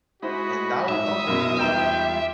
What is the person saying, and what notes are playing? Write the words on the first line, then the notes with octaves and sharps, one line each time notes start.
and that wa that was really it, I mean
G#3 E4 F#4 C5 D#5 B5
G#2 E5 D#6
F#2 B2 A#3 E4 A#4 F5
E2 G3 D#4 F4 B4 G5 A#5